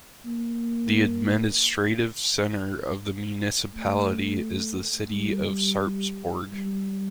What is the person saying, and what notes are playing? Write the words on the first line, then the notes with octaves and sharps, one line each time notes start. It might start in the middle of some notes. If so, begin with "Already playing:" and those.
The administrative centre of the municipality is the city of Sarpsborg.
A#3
A3
G3
G3